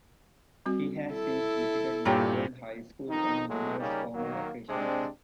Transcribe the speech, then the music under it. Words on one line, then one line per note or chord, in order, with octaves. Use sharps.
He has since visited Melbourne High School on numerous formal occasions.
G3 C4 F#4
E4 A4
G2 A#2 G4 C#5 G5 A#5
F2 D#3 D#4
A2 F#3 G#3 A3
C#3 G3 A#3 C#4 D#4
D#3 F#3 A#3
C3 G#3 C4 D4